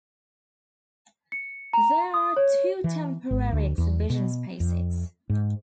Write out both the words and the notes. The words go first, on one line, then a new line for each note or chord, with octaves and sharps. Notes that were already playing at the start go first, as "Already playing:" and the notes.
There are two temporary exhibition spaces.
C#7
A#5
D#6
C#5
E3
G#1
D2
E2
B2
F2
G#2